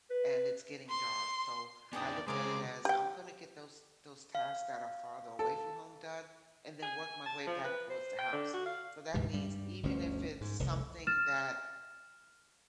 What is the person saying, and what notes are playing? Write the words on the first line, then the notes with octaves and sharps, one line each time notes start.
and it's getting dark, so, I look at it as I'm gonna get those those tasks that are farther away from home done and then work my way back towards the house. So that means even if it's something that
B4
C6
B3 D4 D#4 G#4 D5 G5 D#6
C#3 G#3 C4 G#4 A#4 F5 C6 D6
G4 G5
F5
A4
G#5
A5
F3
B4
C5
G5
D3
F#4
F5
D2 G#2 C3 E3
G2 G3
G1 D2 F3 C#4
G#2
F1 C2 D3
F6 A6 E7